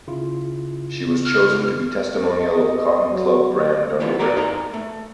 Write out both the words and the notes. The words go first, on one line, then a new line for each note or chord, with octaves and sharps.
She was chosen to be testimonial of "Cotton Club" brand underwear.
C#3 E4 F4
F6
D#5
F#3
E3 A3 B3 E4 F4
G2 C4 F#4 B4 D5 A#5
G2 G#3 D#4 G#4 A#4 A#5
A3